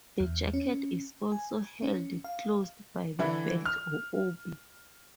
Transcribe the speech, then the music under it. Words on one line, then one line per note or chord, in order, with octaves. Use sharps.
The jacket is also held closed by the belt or obi.
E2
C#4
G#5
C#4
F5
D3 E3 E4
F6